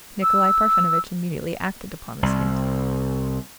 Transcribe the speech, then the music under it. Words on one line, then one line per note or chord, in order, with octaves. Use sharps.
Nikolay Parfenovitch immediately acted upon this hint.
E6
C2